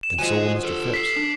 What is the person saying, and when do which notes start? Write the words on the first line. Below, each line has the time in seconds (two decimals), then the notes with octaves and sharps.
"And so will Mr. Phipps."
0.03 E7
0.19 D3 F3 F#3 D#5 G#5
0.63 A4 B4
0.94 B6 C7
1.17 D4